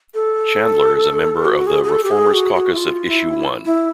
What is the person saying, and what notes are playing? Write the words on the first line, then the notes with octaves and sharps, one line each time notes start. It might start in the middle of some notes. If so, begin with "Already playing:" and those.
Chandler is a member of the ReFormers Caucus of Issue One.
A4
F#4
G#4
G#4
A4
G4
G#4
F#4
F#4
E4
F4
E4
E4